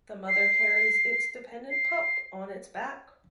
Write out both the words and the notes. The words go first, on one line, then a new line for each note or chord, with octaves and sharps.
The mother carries its dependent pup on its back.
C7
C7